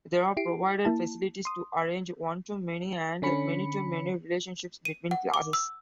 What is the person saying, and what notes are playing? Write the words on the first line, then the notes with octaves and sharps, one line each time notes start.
There are provided facilities to arrange one-to-many and many-to-many relationships between classes.
E4 G4 C7 D7
A#3 E4 A5
C6 D#6
D3 C#4 B5 C#7
D#7
F#5
D6
E6